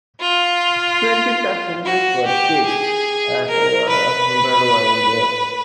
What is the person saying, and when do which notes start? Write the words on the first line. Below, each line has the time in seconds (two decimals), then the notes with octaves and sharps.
Twenty passengers were killed and over a hundred were injured.
0.21 F4
1.85 F#4
2.26 G4
2.66 G#4
3.47 A#4
3.89 B4